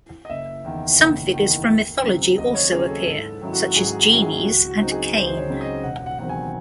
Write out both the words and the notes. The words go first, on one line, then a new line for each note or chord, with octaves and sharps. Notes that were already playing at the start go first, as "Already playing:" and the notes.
Some figures from mythology also appear, such as genies and Cain.
D#5
F#1 E5
E2 D#3
F#1
E2 D#3
D#2
C#3 F#3 C4
D#2 D#5
C#5
C#3 F#3 C4 G#4
A4
G#2 A4
D#3 F#3 C#4 E4
F#4
G#2 G#4
F#4
D#3 F#3 C#4 E4
G#4
C#2 F#4
F#4
C#3 F#3 C4 D#4
G#4
C#2 C5
C5
C#5
C#3 F#3 C4 D#4
D#5
E1 F#5
F#5
E2 D#3 F#3 C4 F#5
G#5